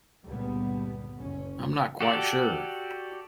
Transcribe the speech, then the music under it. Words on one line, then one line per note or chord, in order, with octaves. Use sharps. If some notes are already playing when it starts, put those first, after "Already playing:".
I'm not quite sure.
C#2 G2 A#2 D3 G3 B3
F#1 C#4
F#4 G4 A4 D5